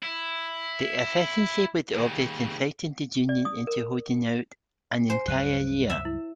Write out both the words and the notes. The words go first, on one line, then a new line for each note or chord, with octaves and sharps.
The efficiency was obvious and frightened the union into holding out an entire year.
E4
D#2 C#3
D5
D#6
A#4
C5 G#5
C#2 G2 F#3 F#6 D#7
E5
E4